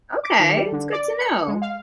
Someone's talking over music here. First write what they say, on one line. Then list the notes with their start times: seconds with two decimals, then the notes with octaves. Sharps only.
Okay. It's good to know.
0.24 D6
0.40 D#3
0.56 G3
0.72 D3
0.93 D5
1.20 C#7
1.48 G#3
1.62 F5